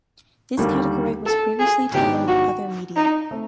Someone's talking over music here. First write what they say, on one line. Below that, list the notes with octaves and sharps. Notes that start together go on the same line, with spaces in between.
This category was previously titled "other media".
D#2 D3 G3 A#3
A4
G#4
G#2 D#3 F#3 B3 D4 G4
F#4
D#4
A3 C4